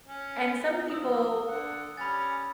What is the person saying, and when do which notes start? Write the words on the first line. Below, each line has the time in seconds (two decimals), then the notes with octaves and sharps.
And some people
0.06 C#4
0.90 F3 D#6 E6
1.48 D3 F#5
1.97 G3 C#4 G#5 B5 A6